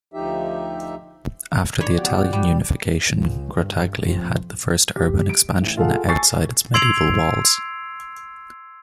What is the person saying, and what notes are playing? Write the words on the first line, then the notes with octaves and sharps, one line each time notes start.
After the Italian unification Grottaglie had the first urban expansion outside its Medieval walls.
D2 F3 D#4 G4 E5
D3 D#3 C#5 D5 B5
F3 B3 F#4 G4
G3 G5
C#2
G2
F2
G4
D7
A1
F4 G#4 A4 F5 F#5
G#5 A5 C#6 E6 A6 C7
C6 E6 G#6 C7 D7 F7